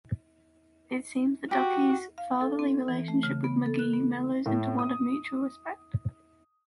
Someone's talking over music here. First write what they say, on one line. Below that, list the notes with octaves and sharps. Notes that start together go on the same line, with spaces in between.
It seems that Ducky's fatherly relationship with McGee mellows into one of mutual respect.
F#4 G4
F5
A4
C4
E3
A3
C#3
B3
A4
F#6
B3
A2
D#6